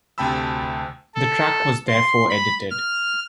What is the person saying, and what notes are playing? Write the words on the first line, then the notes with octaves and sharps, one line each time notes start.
The track was therefore edited.
D2 C3 G5 A5 B5 E6
A4
C6
B5
F6